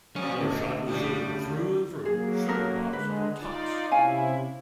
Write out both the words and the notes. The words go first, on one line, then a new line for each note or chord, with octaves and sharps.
They're shot with sugar, through and through... Sugar Pops are tops!
F2 A#2 F3 C#4
D2 B2
A2 C#3 G3
F#3 A#3 G#4
C#4 A4 A#4
D3 G#3 B4
D#4 F4 D5
C3 C#4 E4 F5 G#5